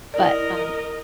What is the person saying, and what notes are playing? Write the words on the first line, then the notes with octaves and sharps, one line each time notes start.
but, um
E4 A#4 D5 D#5